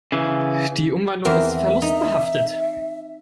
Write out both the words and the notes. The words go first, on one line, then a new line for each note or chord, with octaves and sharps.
Die Umwandlung ist verlustbehaftet.
C#3 E3
E2 C4 A#4 E5
D#4